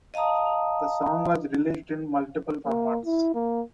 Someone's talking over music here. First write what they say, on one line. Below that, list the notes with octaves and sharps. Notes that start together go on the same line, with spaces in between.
The song was released in multiple formats.
D#5 F5 A5 A#5 D#6
A#3
E4
A#3